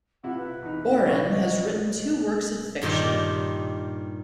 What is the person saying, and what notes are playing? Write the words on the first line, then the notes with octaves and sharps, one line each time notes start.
Oren has written two works of fiction.
C3 E4 F4 F#5
B4
E2 D#4
E4 C#5 D5 F5
D#5
G2 A#2 D#3 G4 A5